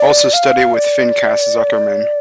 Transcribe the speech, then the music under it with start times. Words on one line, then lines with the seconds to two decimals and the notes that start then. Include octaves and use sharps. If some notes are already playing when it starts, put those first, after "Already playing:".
Also studied with Pinchas Zukerman.
Already playing: D5
0.33 F5
0.74 D5